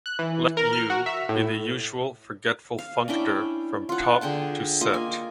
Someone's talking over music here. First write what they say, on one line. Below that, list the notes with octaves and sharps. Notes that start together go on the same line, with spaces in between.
Let "U" be the usual forgetful functor from Top to Set.
F#6
E3
A#4
F6
F#4
E5
A2
F5
C#4 D4 E4 G5
F4 F#5
D3 G#4 G5 A5
A#3 F4 D#5
G#5